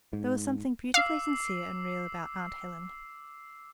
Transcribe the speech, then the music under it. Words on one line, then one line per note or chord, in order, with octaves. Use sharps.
There was something beautifully sincere and real about aunt Helen.
G#2
F5 D6 E6 C7